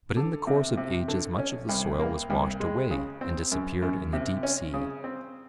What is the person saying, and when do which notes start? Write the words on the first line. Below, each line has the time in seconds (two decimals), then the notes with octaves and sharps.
But in the course of ages much of the soil was washed away and disappeared in the deep sea.
0.17 D3
0.47 C3
0.77 C3
1.08 D3
1.38 C#4
1.69 C2
1.99 A#3
2.30 C2
2.60 G#3
2.91 C#3
3.21 C4
3.52 F#2
3.82 F#2
4.13 C3
4.43 C#4
4.74 C#3
5.04 C4